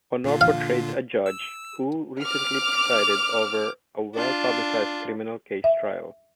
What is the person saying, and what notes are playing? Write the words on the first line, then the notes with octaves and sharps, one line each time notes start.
Aunor portrayed a judge who recently presided over a well publicized criminal case trial.
A#2 D3 F4
F5
E6
D6 F6
D4 F4
E5